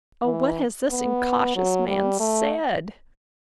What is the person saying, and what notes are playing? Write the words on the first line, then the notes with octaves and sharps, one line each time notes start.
O what has this incautious man said!
E3
B3
F#3
G3
A3